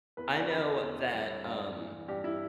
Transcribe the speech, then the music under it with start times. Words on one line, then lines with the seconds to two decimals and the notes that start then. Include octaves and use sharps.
I know that, um
0.17 E2 B4
0.33 D5
0.49 D3 B4
0.65 A4
0.81 E2
1.12 G3
1.44 G2
1.76 E3
2.08 G2 G4
2.24 E4